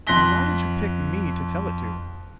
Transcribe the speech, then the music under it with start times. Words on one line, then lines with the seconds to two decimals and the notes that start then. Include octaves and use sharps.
"And why did you pick me to tell it to?"
0.07 F2 C6 F#6 A#6 B6 G7